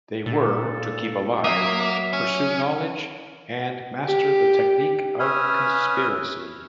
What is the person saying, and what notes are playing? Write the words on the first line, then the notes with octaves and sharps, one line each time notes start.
They were, to keep alive, pursue knowledge, and master the technique of conspiracy.
A#2 A4
F#3 A#3 E5 D#6
C#4
G4
C#4 B4 E5 G#5 D#6 F6